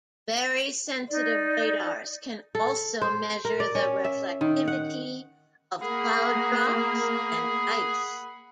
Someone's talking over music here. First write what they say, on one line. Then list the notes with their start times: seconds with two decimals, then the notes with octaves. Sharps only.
Very sensitive radars can also measure the reflectivity of cloud drops and ice.
1.09 D#4 D5
2.55 A4
3.02 C5
3.45 A#4
3.60 D5
3.75 C#4
4.05 E5
4.41 D#3
4.67 F#5
5.81 A#3 G#4 F#5 B5